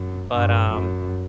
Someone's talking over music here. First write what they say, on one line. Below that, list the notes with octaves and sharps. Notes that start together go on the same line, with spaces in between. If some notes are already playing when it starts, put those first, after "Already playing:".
B But, um
Already playing: F#2
G2
F#2